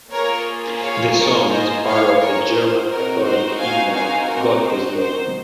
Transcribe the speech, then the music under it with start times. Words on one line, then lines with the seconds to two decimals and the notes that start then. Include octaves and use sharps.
The song is part of the German Catholic hymnal "Gotteslob".
0.12 A#3 F4 G#4 A#4 C#5
0.81 C#5 F5
1.16 A#4 C#5
1.50 C5 D#5
1.85 C#5 F5
2.20 A#4 C#5
2.54 C5
2.89 C4 D#4 F#4 A#4
3.24 C5
3.59 F5 G#5
3.93 F5 G#5
4.28 A#4
4.63 C5
4.97 C5